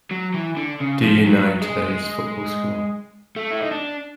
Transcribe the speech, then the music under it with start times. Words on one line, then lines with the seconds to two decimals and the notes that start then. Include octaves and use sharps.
Do you know today's football score?
0.11 F#3
0.34 E3
0.57 D3
0.80 C#3
1.03 F3
1.26 F#3
1.62 G#3
3.36 A3
3.51 E4
3.60 D#4
3.71 D4